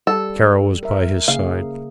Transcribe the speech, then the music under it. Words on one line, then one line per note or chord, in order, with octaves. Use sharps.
Kara was by his side.
G3 A4
A#4 E5
C#3 A#3 G#4 F5